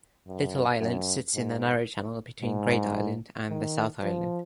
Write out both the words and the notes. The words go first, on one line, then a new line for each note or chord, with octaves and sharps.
Little Island sits in the narrow channel between Great Island and the South Island.
F#2
F#2
G#2
G#2
D#3
F3